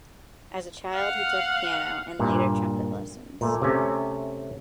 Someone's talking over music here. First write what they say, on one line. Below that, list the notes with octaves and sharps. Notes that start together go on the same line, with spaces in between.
As a child he took piano and later trumpet lessons.
F5 F#5
G2 A#2
A#2 A3
C3 A3 C#4